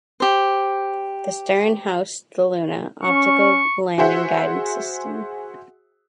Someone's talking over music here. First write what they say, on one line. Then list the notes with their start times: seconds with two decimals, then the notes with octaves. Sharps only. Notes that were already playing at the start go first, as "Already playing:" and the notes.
The stern housed the "Luna" optical landing guidance system.
0.20 G4 C5
3.03 C#4 C#6
3.98 F#4 G#4 C5 E5 F#5